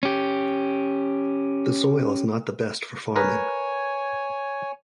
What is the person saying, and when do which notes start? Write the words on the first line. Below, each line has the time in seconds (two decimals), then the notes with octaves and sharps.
The soil is not the best for farming.
0.03 C#4 G4
3.16 A#4 B4 C#5 G#5